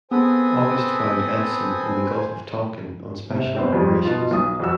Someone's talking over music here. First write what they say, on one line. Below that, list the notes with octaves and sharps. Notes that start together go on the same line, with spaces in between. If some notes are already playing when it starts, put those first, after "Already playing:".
August found "Edson" in the Gulf of Tonkin on special operations.
B3 C4 G#4 A4 B4 C5 G#5 D#6
C3
B3 C4
F2 G3 F4
B2 D#4 F4
B1 D#6
F2 F#4 E6